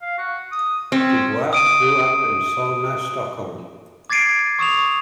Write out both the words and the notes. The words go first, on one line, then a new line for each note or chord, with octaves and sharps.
Dubois grew up in Solna, Stockholm.
F5
F#4
D#6
C4 C#4
D#6 D7 D#7
D6 G#6 A6 C7 D7 D#7
C#6 D#6 E7 F7